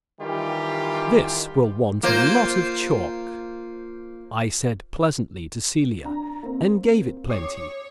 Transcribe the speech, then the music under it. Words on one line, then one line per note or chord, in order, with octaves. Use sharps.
"This will want a lot of chalk," I said pleasantly to Celia, and gave it plenty.
D#3 E3 G3 F4 G4
A#3 F4 C5
D4 A#5
A#3 C4
C#5 D6 D#6 C7